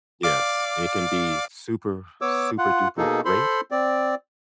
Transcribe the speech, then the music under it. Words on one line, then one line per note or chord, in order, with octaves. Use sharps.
Yes. It can be super, super duper great
D5 F5 D6
B3 C#5 D6 E6
F4 F#5
B2 A#3 D#4 G#4 A4
A4 C5 B5 C6
C4 D5